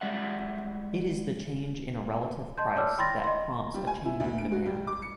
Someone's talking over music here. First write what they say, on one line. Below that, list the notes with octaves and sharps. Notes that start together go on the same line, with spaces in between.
It is the change in a relative price that prompts a change in demand.
G3 G#3 D5 E5 F#5
D#5 A5 C6 G6
C#5 D5 A5 D6 E6 F6
G5 B5 C6 A6 A#6
D#5 C6
G3
G#5
E4
D2
D7
F#4
G3
D6
C#7